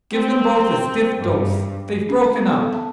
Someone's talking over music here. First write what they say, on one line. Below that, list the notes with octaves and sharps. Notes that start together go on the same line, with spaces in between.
Give them both a stiff dose: they've broken up.
C4
G2
C#4
B5
B3
A4
A5